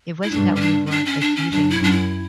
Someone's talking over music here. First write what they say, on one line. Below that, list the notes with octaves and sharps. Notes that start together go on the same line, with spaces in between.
it wasn't that we weren't, like, using
E4
G2 D4
C#4
D4
C#4
D4
C#4
D4
C#4
F#2 D4
E4
F#2 D4
E4